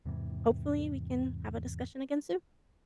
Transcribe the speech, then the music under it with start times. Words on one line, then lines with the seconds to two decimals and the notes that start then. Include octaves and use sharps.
hopefully we can have a discussion again soon.
0.06 E2 G#2 C3 E3